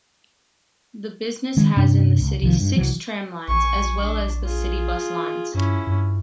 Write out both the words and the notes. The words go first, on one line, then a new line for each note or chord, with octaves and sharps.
The business has in the city six tram lines as well as the city bus lines.
D#3 G#3 C#4
G2 C3 C#4 D4
C#2
C2 D#3 F3
G2
C2 E3 F#3
A#1 G#5 C#6
D4
F4 G#4
G2 C#4 E4
G2